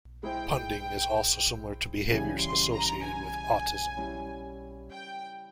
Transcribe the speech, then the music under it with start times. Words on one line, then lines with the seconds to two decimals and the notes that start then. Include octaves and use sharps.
Punding is also similar to behaviors associated with autism.
0.23 G#3 E4 G#4 C5 G5
2.10 C#3 E3 G3 G#5
2.41 C6
2.73 A#5
3.04 G#5
3.97 G3 C#4 E4
4.91 G5